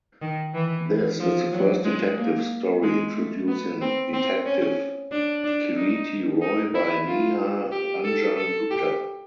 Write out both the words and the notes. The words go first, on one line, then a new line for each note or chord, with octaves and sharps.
This is the first detective story introducing detective Kiriti Roy by Nihar Ranjan Gupta.
D#3
E3
F3
F#3
G#3
A#3
G#3
A3
B3
C4
C4
C#4
D4
D4
D#4
D#4
E4
F4
G4
A4
A4
G4